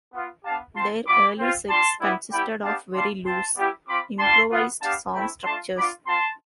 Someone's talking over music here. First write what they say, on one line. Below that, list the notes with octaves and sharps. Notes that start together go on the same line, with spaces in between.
Their early sets consisted of very loose, improvised song structures.
B3 F4
B3 D4 G4 F5 A5
C4 F4 A5 C6
G3 B3 F4 B5 D6
C4 F4
G3 D4 F4 A5 C6
G3 B3 E4
G3 B3 E4 G4 G5 B5
B3 D4 G4 F5 A5
G3 D4 F4 A5 C6
C4 F4 A5 C6
G3 B3 E4 G4
C4 F4 B5 D6
G3 D4 F4 A5 C6
B3 F4
B3 D4 G4 F5 A5
A3 C4 E4 G5 B5
A3 D4 F4 A5 C6
B3 D4 F4 B5 D6
C4 F4 A5 C6